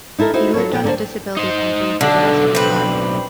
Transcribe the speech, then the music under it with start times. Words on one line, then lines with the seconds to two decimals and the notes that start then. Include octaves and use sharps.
He lived on a disability pension for the rest of his life.
0.18 D#4 E4 A4 A#4
0.34 D#4 E4 F#4 C5
0.54 F#3 F4 A4 C#5
0.72 A#2 F3 A#4 G5
0.84 D3 A#3 B3 A4 C5
1.37 D#4 C5
2.01 B1 D3 D4
2.55 C4 B4